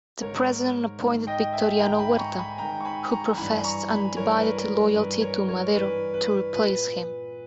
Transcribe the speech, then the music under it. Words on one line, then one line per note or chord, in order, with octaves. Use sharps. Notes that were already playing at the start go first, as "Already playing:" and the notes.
The president appointed Victoriano Huerta, who professed undivided loyalty to Madero to replace him.
G#2 D#3 A#4 C#5
G#2 D#3
D#5 G5
E5 G#5
G#2 D#3 G5 A#5
G#5 B5
A#5 C#6
G#5 B5
G#2 D#3 G5 A#5
C#6
G#5 B5
A#5 C#6
G2 E3 G#5 B5
A#5 C#6
G#5 B5
G2 E3 A#4 C#5
B4
A#4
A#4
G2 E3 B4
A#4 C#5
A#4 C#5
G2 E3 B4
B4
A#2 B4